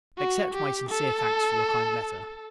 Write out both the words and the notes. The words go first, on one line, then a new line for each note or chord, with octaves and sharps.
Accept my sincere thanks for your kind letter.
F#4
G4
A4